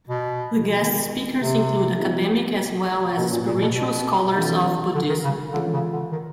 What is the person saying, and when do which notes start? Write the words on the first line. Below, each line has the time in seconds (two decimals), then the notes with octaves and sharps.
The guest speakers include academic as well as spiritual scholars of Buddhism.
0.09 B2
0.82 D#3 G#3 B3 D#4
1.40 C3
2.00 F3 G#3 B3 D#4
3.18 B2 A#3 C#4 F#4 B4
3.33 A#2
3.48 A#2
3.62 B2
3.76 B2
4.35 C3 E3 A3 D4 F4
4.95 D3
5.09 D#3
5.24 C#3
5.53 D3 E3 G#3 C#4 F4 A4
5.73 C#3
5.93 D3
6.12 D#3